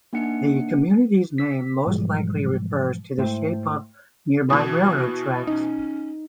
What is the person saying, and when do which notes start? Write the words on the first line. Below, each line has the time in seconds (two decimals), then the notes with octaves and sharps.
The community's name most likely refers to the shape of nearby railroad tracks.
0.13 A#3 D4 D#4 F#5 C#7
1.38 E6 B6
1.86 G#2 B2 E3 F3 G3 G#3
3.18 G#2 A3 E4 C5 E5 G5
4.50 B2 E3 F#4
5.47 C#4 D#4